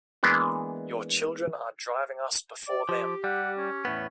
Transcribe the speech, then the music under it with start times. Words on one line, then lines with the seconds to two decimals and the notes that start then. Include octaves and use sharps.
Your children are driving us before them.
0.23 E3 G#3 A#3 B3 D4
2.68 D5 D6
2.89 F3 G4
3.24 G3 F#5
3.58 C#4
3.85 E2 A2 B3